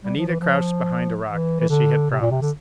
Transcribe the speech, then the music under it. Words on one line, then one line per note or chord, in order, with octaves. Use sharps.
Anita crouched behind a rock, as she had promised.
G3
F3
E3
F3
E3
E3
D3
C3
A#2
C3
D3